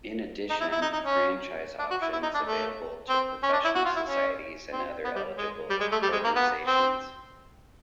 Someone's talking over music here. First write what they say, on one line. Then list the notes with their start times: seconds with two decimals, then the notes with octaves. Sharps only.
In addition, a franchise option is available to professional societies and other eligible organizations.
0.50 D#4
0.60 E4
0.72 E4
0.82 D#4
0.93 D#4
1.04 C#4
1.79 D4
1.90 F#4
2.02 E4
2.13 E4
2.23 D#4
2.34 D4
2.45 A3
3.09 C4
3.43 C#4
3.53 D4
3.64 E4
3.75 F#4
3.85 F4
3.96 E4
4.07 C#4
4.72 C4
5.05 B3
5.16 G3
5.38 G#3
5.70 G3
5.80 G#3
5.92 A3
6.02 G3
6.13 G#3
6.24 A#3
6.36 B3
6.67 C4